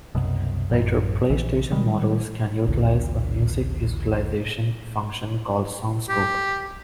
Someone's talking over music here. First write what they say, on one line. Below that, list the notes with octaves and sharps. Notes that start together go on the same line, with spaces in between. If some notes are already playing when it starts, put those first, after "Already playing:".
Later PlayStation models can utilize a music visualization function called SoundScope.
C2 F#2 B2
A1 F#2
A#1 E3
D#3 G3 G#3
A#1 D#2 C#3
G4